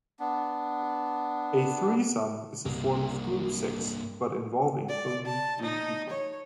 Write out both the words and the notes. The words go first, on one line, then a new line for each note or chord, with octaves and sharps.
A threesome is a form of group sex, but involving only three people.
B3 D4
C2 G2 A#3
D5
A5
D#4
C#5